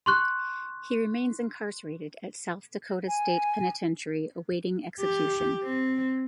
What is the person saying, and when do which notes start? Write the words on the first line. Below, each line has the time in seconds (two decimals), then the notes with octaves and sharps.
He remains incarcerated at South Dakota State Penitentiary awaiting execution.
0.06 C6 C#6 F#6
3.07 G#5
5.01 G4
5.63 C4